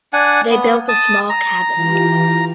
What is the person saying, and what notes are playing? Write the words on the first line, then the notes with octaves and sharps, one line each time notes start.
They built a small cabin.
D4 F#5 G#5
B3
A5 D#6
A#5
E3 F4 G4